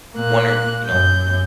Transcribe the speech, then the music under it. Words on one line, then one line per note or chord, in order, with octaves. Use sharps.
one or you know,
A#2 A#3 F#6
F#2 G6